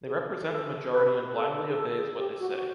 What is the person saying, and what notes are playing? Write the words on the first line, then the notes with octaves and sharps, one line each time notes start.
They represent the majority and blindly obeys what they say.
G#4
A4
B4
A4
G#4
A4
G#4
G4
F#4
F#4